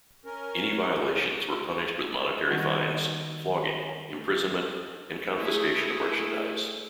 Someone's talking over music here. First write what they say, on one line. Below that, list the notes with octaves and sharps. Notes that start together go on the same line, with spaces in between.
Any violations were punished with monetary fines, flogging, imprisonment and confiscation of merchandise.
C#4 A#4
D#3 G3 A#3 B3 D#4 F#4
A3 E4 G#4